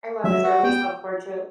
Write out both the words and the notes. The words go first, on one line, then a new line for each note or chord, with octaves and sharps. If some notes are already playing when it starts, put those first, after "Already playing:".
I love his early self-portraits.
F#3 E5
F#4
B3 G5